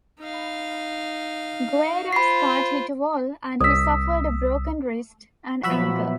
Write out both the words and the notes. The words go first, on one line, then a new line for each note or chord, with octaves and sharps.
Guerra's car hit a wall, and he suffered a broken wrist and ankle.
D#4 F5
F4 C5 B5 C7
C2 D#6 E6 B6
A#2 F3 F#3 B3 F#4 E5 B5